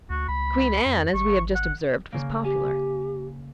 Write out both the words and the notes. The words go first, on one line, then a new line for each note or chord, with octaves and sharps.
Queen Anne, as we have just observed, was popular.
D2 F#4
C#2 B5
F2
G#1 C#6
F#5
C#3 A#3
G4 G#5